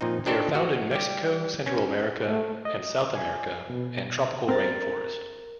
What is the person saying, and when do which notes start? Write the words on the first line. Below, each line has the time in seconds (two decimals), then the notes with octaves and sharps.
They are found in Mexico, Central America and South America and tropical rain forest.
0.01 A#2 F3 C4 D#4
0.26 D4 D#4 G4 A4 C5 C#5
0.55 F#4
0.91 G3 G4
1.66 C#4
2.28 A3
2.65 D#5
3.15 G#5
3.70 B2
4.48 C4 A#4 A6